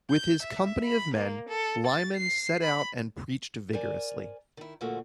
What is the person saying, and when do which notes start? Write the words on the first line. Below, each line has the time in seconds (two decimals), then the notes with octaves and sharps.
With his company of men, Lyman set out and preached vigorously.
0.10 G6
0.43 E5
0.83 B5
1.14 A#3
1.49 A4
1.87 A6
2.16 C7
2.62 B5
3.73 A#4 C5 D5 G#5
4.57 D#3 E4
4.81 D2 A#2 F3 A3 A#3 F#4